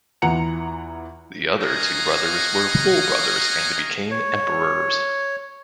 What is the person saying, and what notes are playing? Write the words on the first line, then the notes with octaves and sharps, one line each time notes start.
The other two brothers were full brothers and became emperors.
E2 E3 F4 F#5 A#5 C#7
C#5 D#5 F5 F#5 G#5 A#5
C#5